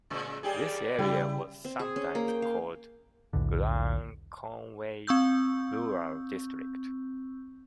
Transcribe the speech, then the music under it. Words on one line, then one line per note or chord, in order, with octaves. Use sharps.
This area was sometimes called Glan Conway Rural District.
A2 C#3 G#3
D#2 G3 G4 G#4 D5
C#3 G3 E4 G4
C4
G#4
C#4
A#3
G5
F5
B1 E2 A2 D3
C4 C#6 E6 G6